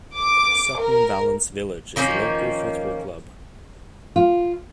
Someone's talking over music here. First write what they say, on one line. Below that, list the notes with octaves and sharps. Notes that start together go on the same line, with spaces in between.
Sutton Valence Village is a local football club.
D6
A#4
D#3 F3 A#3 C#4
F4